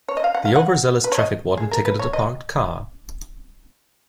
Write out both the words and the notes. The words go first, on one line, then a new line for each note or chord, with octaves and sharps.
The overzealous traffic warden ticketed a parked car.
C#5
D#5
F5
F#5
F5
F#5
B4
C#5
D#5
G#4
A#4
B4
C#5
D#5